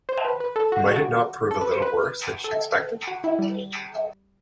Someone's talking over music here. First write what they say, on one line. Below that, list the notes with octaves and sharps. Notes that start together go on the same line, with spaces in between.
Might it not prove a little worse than she expected?
C5
B4
B4
A4
F#4
F#4
A4
B4
C5
B4
A4
F#4
E4
G3